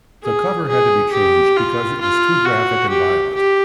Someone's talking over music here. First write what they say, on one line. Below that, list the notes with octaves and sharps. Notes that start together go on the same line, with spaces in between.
The cover had to be changed because it was too graphic and violent.
G#4
G#4
G4
F4
F4
F#4
G4
G4